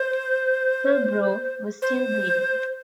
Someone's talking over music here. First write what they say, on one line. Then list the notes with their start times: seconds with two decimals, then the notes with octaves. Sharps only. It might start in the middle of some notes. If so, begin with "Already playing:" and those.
Her brow was still bleeding.
Already playing: C5
1.82 C5